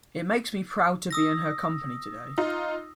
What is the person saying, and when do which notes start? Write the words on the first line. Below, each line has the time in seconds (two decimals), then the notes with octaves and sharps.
It makes me proud to be in her company today.
1.11 D#6 E6 A#6
2.38 D#4 F4